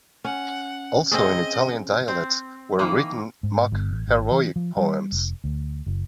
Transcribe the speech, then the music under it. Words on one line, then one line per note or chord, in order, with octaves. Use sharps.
Also in Italian dialects were written mock-heroic poems.
C#4 F#5
C4 C#4 G#4 D#5
C4
D#3 E3 A#3
G#2
G1
A1
G#1
E3
F3
G3
F1
D2
F#1